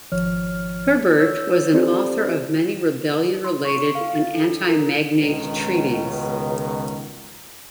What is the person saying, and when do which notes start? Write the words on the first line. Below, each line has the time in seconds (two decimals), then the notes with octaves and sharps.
Herburt was an author of many rebellion-related and anti-magnate treaties.
0.12 G#1 F3 C#5 F6
1.18 C#5 E6 G6
1.73 C4 G4 A4 C5 D5
3.44 C6
3.65 C#6
3.95 F5
4.15 A6
4.34 A4
4.48 D4
4.69 A#4
5.15 C#2 B2 D#3